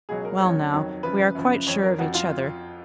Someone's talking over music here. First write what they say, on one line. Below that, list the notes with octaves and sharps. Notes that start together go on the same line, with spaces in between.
'Well now, we are quite sure of each other.
C#2 B2 F#3 G#4
A#4
D#2 C#3 F#3 C#5
F2 D#3 F#3
F#2 C#3 F3 B4
F#2 C#3 F3
F2 F3 C#5
A#4
F2 F3 F#4
F4